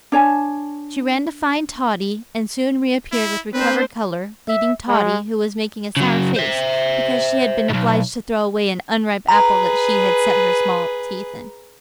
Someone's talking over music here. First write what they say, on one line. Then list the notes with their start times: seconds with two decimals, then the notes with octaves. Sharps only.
She ran to find Totty, and soon reappeared with recovered colour, leading Totty, who was making a sour face because she had been obliged to throw away an unripe apple that she had set her small teeth in.
0.12 D4 C#5 G#5 A5
3.12 E4
3.54 C4 D4 B4 C5
4.48 E5
4.88 G#3
5.97 C#3 F#3
6.36 C5 E5
7.70 B1 G#2
9.28 G#4 B4 A#5